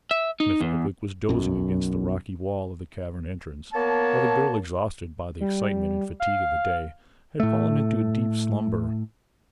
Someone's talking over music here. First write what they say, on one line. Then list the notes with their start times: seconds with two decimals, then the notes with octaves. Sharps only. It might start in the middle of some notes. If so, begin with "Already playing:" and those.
Smith-Oldwick was dozing against the rocky wall of the cavern entrance, while the girl, exhausted by the excitement and fatigue of the day, had fallen into deep slumber.
0.11 E5
0.40 D#4
0.60 E2
1.29 B1 F#2
3.73 A#3 B3 C#5 A5
5.40 G3
6.20 F5
7.40 A2 A3